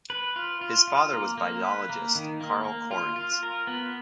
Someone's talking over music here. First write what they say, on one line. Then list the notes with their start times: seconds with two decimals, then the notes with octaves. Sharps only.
His father was biologist Carl Correns.
0.10 B4
0.36 F4
0.61 F4
0.88 F4
1.13 A#3
1.38 A#3
1.64 B4
1.90 A#3
2.15 D#3
2.41 A#3
2.65 A#3
2.91 F4
3.16 F4
3.43 A#4
3.67 B3